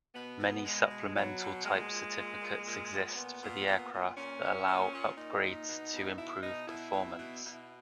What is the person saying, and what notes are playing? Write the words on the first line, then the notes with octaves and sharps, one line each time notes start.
Many supplemental type certificates exist for the aircraft that allow upgrades to improve performance.
B2 B3
B2
B2 G#3
B2
B2 F#3
B2
A#2 G#3
A#2
A#2
A#2
A#2
A#2
A#2 B3
A#2
A#2
A#2
A#2 C#4
A#2
A#2
A#2
A#2 D#4
A#2
B2
B2
B2 E4
B2 D#4
B2 E4
B2
B2
B2